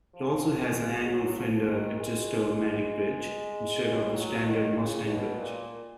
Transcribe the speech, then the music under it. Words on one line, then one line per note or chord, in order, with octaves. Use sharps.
It also has an angled Fender adjusto-matic bridge instead of the standard Mustang bridge.
F3
G#3
F#3
F3
D#3
G#3
G#3
F#3
D#3
C#3
B2
A#2